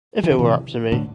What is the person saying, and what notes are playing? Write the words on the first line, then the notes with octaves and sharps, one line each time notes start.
If it were up to me.
E3
D3
C3 E3
A2 D3